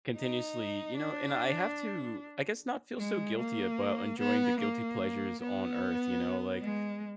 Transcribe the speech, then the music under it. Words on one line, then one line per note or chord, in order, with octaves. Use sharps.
continuously, you know and I have to, I guess, not feel so guilty about enjoying the guilty pleasures on Earth, you know, like,
D#4
D4
G#3
A#3
B3
A#3
B3
G#3